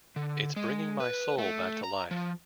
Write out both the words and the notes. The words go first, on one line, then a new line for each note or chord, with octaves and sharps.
It's bringing my soul back to life.
D3
G#3
B4
A3
A#5
F3